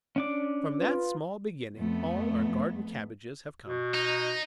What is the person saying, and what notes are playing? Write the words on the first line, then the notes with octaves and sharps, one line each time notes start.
From that small beginning all our garden cabbages have come.
C#4 D4 D6
F4 B4
F2 A3 B3
B2
D#4